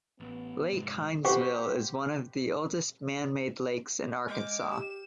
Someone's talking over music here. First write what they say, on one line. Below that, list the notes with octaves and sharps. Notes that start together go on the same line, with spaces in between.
Lake Hindsville is one of the oldest man-made lakes in Arkansas.
A1 B3
F1 G#2 G#3
G4 B4 C5 F#5 C#6
G#3 D6 F6 G6
G4 E7